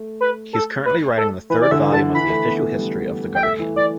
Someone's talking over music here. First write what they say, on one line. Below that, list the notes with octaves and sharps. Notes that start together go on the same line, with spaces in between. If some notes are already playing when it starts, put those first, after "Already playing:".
He is currently writing the third volume of the official history of "The Guardian".
Already playing: A3
B4
A4
B4
A4
E3 B4
D5
D3 E5
D3 A5
E3 B5
A3
B3
A3
G3
G5
A3 E5
E3
E3 D5